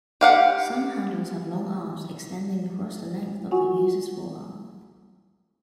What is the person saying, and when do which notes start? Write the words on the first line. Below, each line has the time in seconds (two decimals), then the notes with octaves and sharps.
Some handles have long arms extending across the length of the user's forearm.
0.21 G4 F5 F#5
3.51 F4 F#4 F#5 G#5 C#6